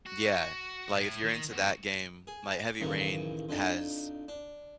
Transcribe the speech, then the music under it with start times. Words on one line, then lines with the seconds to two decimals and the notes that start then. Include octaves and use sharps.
Yeah, like, if you're into that game like, Heavy Rain has
0.06 F#4
0.95 A2
1.24 D#3
1.50 C2 F#4
2.27 G#4
2.60 D6
2.80 A1 D#2 C#3 E3 A#4 C#6
3.49 F2 D4 D#4
4.28 D4